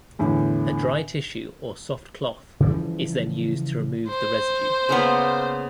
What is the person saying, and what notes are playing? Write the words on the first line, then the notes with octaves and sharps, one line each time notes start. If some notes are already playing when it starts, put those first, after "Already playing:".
A dry tissue or soft cloth is then used to remove the residue.
E2 A2 D3
C#3 E3 F3 G3
C5
C#3 A#3 B3